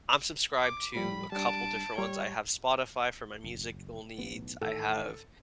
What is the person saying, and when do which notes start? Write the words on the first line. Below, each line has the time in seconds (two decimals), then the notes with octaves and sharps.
I'm subscribed to a couple different ones. I have Spotify, for my musical needs. I have
0.61 D6
0.95 A2 F3 G3 B5
1.32 G3 D4 A5 D7
1.98 G3 C#5
3.44 F#1
4.18 B1 A2 B3
4.61 A2 D#3 E3 A4